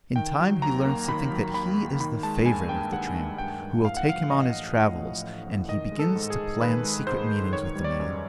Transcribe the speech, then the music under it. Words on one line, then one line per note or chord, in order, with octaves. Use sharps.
In time he learns to think that he is the favorite of the tramp, who will take him on his travels, and he begins to plan secret meetings with the man.
D#3 G5
F#3
D#2 A#5
A#3
D#3 B5
F#3
D#2 B5
A#3
D#3 B5
G#3 A5
G2 G#5
G2 G5
D#3 F#5
G#3
G2 G5
G2
A2 F5
F#5
F3 F5
A1 D#5
A1
A2
F3
A1
A1
D#3 D#5
G#3
A4
G#2
G#4
G#2
D#3 B4
G#3
G#2 C5
G#2
D#3 C#5
G3
D5
F#2